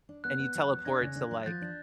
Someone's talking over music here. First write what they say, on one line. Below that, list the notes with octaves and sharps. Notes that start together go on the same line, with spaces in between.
and you teleport to, like
D4
B3 F#6
B3
F#3
B3
D4 G#6 A#6
C#3
D4
F#3
F3 G6 A6
D4